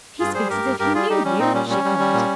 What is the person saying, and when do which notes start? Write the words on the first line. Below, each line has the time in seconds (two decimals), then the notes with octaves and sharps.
"He speaks as if he knew you!" she cried.
0.19 G2 F4 G#4
0.34 G3 G#4 C5
0.49 G2 G4 A#4
0.64 G2
0.79 G2 G4 A#4
0.95 G3 F4 G#4
1.09 G3 D#4 G4
1.24 G3 C#4
1.39 A#2 C4 D#4
1.54 G3 C#4
1.69 G3 C#4
1.85 G3
1.98 G3
2.14 A#2